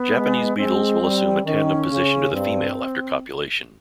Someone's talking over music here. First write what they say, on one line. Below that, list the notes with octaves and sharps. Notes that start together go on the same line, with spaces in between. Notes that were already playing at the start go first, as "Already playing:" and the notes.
Japanese beetles will assume a tandem position to the female after copulation.
Already playing: B3
G#3
G#3 C4
G3
D#3 C#4
C#3
G2 C4